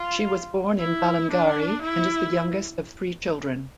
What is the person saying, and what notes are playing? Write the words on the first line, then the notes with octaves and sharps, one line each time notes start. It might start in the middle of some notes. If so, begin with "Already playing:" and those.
She was born in Ballingarry and is the youngest of three children.
Already playing: F4
E4
D4
E4